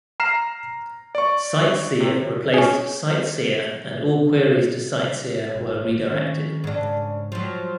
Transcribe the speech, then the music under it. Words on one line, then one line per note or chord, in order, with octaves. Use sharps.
CiteSeer replaced CiteSeer and all queries to CiteSeer were redirected.
A#5 F6 C7 E7
D5 C#6
C3
C#4 G#4
G#1
D#3 C4 C#4
G#2 C#3 D4
F3 F#3